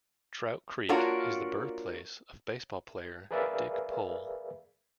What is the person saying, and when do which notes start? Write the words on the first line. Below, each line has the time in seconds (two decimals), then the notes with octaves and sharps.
Trout Creek is the birthplace of baseball player Dick Pole.
0.89 A#3 D4 F4 F#4 A#4 C#5
3.31 G#4 A#4 B4 D5 E5 F5